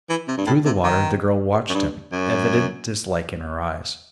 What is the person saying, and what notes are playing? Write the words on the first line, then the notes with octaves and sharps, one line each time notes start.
Through the water the girl watched him, evident dislike in her eyes.
E3
C3
G2
A2
C3
D#3
F#2
G2
F#2